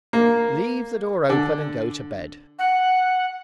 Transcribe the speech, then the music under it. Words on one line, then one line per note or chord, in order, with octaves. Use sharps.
Leave the door open, and go to bed.
A#3
D3
F#5